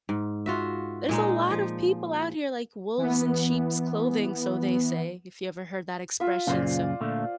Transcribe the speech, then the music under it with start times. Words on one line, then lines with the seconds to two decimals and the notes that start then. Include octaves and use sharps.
There's a lot of people out here like wolves in sheep's clothing, so they say, if you ever heard that expression, so
0.09 G#2
0.46 F4 F#4 E5
1.09 A#2 G#3 D#4
1.51 F3
2.98 E3 B3
6.20 F4 E5
6.47 F#2 A#2 C#3 F4 C5 D5
7.01 A#2 D3 A3